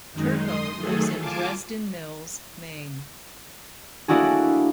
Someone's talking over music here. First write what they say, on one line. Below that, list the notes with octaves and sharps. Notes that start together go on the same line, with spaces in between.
Turco lives in Dresden Mills, Maine.
F#2 D#3 G#3 D#4
C6 D#6
D#3 F#3 A3 G#4 A4
F4 G#5 A5 D6
A3 A#3 D4 E4 F#4 G#4